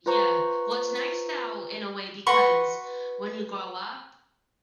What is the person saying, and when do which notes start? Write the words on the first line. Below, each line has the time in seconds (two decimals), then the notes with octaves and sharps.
Yeah, well, it's nice thou, in a way, because when you grow up,
0.06 F4 B4 C5 A#5 C#6
2.26 F#4 B4 C6 C#6